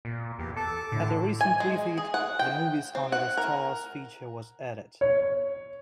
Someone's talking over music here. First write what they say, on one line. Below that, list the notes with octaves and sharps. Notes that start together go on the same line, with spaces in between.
At a recent refit, the "Movies under the Stars" feature was added.
A#2
E2 G4
A4 A5 D6
A2 D3
G#5
G#3
G#4
F#5
G5
C4
F#5
A#4
C#5